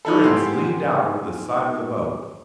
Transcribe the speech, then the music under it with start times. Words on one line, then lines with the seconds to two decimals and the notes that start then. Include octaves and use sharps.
Durrance leaned out over the side of the boat.
0.05 D#4 E4 A4
0.24 G#2 B3 G4 C6